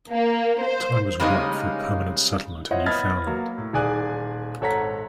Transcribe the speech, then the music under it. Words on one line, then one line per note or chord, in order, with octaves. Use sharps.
Time was ripe for a permanent settlement in Newfoundland.
A#3
C5
C#3 G3 G#3 A#3 C#4 D#4
E4 F4 C5 C#5 D#5 F#5
B3 D#5 B5 F6 G#6 A6
F#3 A#3
A2
D#1 D#3 G#4 D5 G#5 F#6
G#1 A4 C#5 F#5 A#5 B6